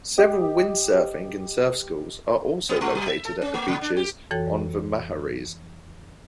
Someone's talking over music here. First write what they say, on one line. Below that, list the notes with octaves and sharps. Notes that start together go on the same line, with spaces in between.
Several windsurfing and surf schools are also located at the beaches on the Maharees.
G4 D#5
A#3
G#3
F#3
E5
A4
C#4
A3
C3
D4
G4
F2 E3 F#4 A4 C#5 G5